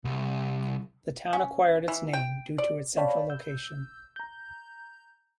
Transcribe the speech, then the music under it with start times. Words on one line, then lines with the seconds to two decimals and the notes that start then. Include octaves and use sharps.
The town acquired its name due to its central location.
0.05 C2
1.33 C#4
1.88 E3
2.13 G5
2.58 D5
2.97 C#5 D5 F5 G5 A5 B5
3.30 E6 G6
4.16 A#5 G6